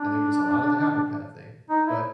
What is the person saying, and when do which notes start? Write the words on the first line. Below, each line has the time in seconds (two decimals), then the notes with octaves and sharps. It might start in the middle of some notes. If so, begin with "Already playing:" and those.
and they were just allowed it to happen kinda thing, but
Already playing: D4
1.70 D#4
1.87 E4